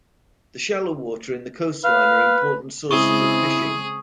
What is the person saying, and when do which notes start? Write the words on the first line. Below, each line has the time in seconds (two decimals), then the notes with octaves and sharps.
The shallow water in the coastline are important sources of fishing.
1.84 B4 F5
2.91 C#3 G#3 C4 E4 G#4 C#6 D#6